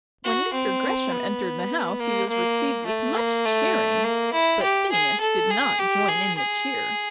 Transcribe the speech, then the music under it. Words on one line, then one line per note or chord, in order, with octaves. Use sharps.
When Mr. Gresham entered the House he was received with much cheering; but Phineas did not join in the cheer.
F#4
C4
B3
A#3
A#3
A3
A#3
A3
A#3
E4
G4
G#4
A4
G#4
G4
G#4
G#4